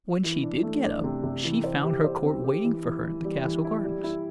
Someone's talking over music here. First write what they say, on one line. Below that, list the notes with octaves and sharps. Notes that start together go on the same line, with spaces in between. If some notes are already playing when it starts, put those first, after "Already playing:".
When she did get up, she found her court waiting for her in the castle gardens.
E3
D4
A3
D4
C3
C3
E3
C5
G4
C5
C4
G4
E3
E3
E3
G3
E3
E4
G3
E4